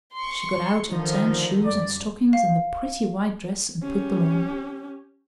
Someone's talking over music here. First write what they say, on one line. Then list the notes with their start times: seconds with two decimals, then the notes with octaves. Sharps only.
She got out her tan shoes and stockings and the pretty white dress and put them on.
0.17 C6 C#6
0.89 D3 D#3 F3 D#4
1.65 F#2 G3 D5
2.33 F5
3.83 C#4 G4